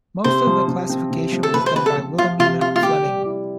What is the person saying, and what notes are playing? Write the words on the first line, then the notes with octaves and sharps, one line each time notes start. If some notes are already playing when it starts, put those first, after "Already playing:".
Most of the classification was done by Williamina Fleming.
C3 C5
F3
C3
C4
C3
F3
A4
C3 B4
C5
C4 B4
A4
C3
F3 F4
C3 F4
C4 F4
F4
C3 G4
G3
E4